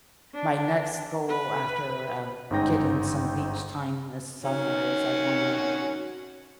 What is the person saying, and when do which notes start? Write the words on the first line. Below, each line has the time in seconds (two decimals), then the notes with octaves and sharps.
my next goal after, uh, getting some beach time this summer is I wanna
0.34 D4
1.29 B4
2.50 G1 G#2 C#4 D#4 G5 A#6
4.42 D#3 C#4 F#4